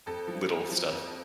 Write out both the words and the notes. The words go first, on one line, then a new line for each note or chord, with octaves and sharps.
little stuff.
F2 A4
F3
F2
F3
F2